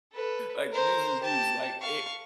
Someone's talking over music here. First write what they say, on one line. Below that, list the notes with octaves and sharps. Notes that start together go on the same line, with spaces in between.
Like, news is news, like, it
A4 B4
A#4 C5
G4 A5
F5 C#6